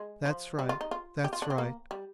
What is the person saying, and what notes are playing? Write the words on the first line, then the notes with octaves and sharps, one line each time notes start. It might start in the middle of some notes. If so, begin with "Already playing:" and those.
That's right, that's right.
Already playing: G#3
F3
G3
F4
D#4
F4
G4
F4
D4
C4
A#3
G3